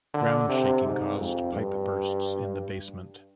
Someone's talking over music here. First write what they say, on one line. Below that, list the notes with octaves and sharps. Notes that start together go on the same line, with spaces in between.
Ground shaking caused pipe bursts in the basement.
D3
C3
G#2
F2
G2